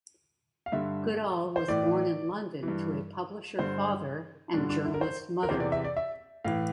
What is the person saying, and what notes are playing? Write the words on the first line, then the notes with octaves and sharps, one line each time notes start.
Goodall was born in London to a publisher father and journalist mother.
F5
G2 D3 E5
C5
A2 E3 D5
E3
G2
G2 D3 C5
G2 D3 D4
D4
E4
A#4
C5
A#4
E2 C3 E3 C5
D5
E5
D5
E5
A2 E3 F5